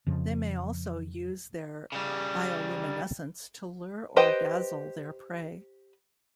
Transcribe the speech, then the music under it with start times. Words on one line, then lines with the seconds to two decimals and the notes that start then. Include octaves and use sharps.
They may also use their bioluminescence to lure or dazzle their prey.
0.07 F2 C#3 F3
1.92 C#3 G3
4.16 G4 B4 C5 D#5 G5